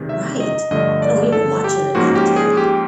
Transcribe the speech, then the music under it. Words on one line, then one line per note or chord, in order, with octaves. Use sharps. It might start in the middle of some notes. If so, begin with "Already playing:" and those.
Right. I don't even watch it enough to
Already playing: E2 C3 D#3 G#3
E5
D#5
G2 D3 F3 A3 D#5
D5
A4
G4
G#2 F3 A#3 C#4 F#4
G4
G#4
G4